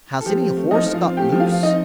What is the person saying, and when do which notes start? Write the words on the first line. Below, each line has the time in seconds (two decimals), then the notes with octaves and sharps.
"Has any horse got loose?"
0.21 A4
0.26 F3 G4
0.41 C4
0.57 A3
0.71 F3 D#4 D#5
0.87 F3
0.94 F4 F5
1.02 C4
1.17 A3 G4 G5
1.32 F3
1.40 F4 F5
1.48 F3
1.63 C4 D#4 D#5